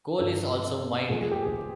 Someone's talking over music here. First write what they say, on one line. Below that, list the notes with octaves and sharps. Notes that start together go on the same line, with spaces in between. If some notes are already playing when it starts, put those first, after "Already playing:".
Coal is also mined.
G2 D3 F3 A4
A#2 F3 A3 G#4
G#4
G4
G#4